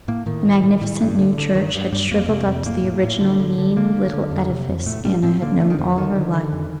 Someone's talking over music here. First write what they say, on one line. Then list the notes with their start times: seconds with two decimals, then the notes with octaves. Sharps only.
The magnificent new church had shrivelled up to the original mean little edifice Anna had known all her life.
0.08 A2 A#3
0.26 A2 D#3
0.45 A2
0.63 A2
0.81 A2
1.01 G2
1.18 D3
1.38 D3
1.55 G2 D#3
1.74 G2
1.92 G2 G3
2.11 F2 A#3
2.29 C3 A#3
2.47 F2
2.66 A2 A#3
2.84 A2
3.03 A2
3.21 D3
3.39 D3
3.58 D3
3.76 D3 A#3
3.95 D3
4.14 D3
4.31 F2
4.50 C3
4.69 F2
4.86 A2 A3
5.05 A2 G3
5.23 A2 C4
5.42 D3 A#3
5.60 D3 A3
5.70 D#3
5.78 F2 F3
5.97 D3 D#3
6.15 D3
6.33 D3
6.52 F2